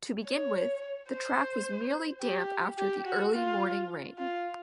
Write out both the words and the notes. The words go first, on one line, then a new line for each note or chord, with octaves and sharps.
To begin with the track was merely damp after the early morning rain.
C#5
C5
G4
G4
F#4
F4
F4